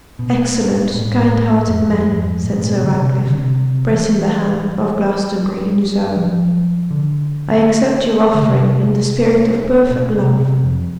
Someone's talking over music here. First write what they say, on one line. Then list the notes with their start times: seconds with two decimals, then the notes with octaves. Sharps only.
'Excellent, kind-hearted man!' said Sir Ratcliffe, pressing the hand of Glastonbury in his own; 'I accept your offering in the spirit of perfect love.
0.19 B2
0.94 A2
1.68 F2
1.79 G#2
1.90 F2
2.01 G#2
2.12 F2
2.44 A2
2.52 G#2
2.60 A2
2.69 B2
2.84 D3
2.94 C3
3.18 C3
3.27 D3
3.37 C3
3.92 E3
6.17 F3
6.91 D3
8.35 D3
8.41 C3
9.90 B2
10.15 C3
10.40 C3
10.64 F2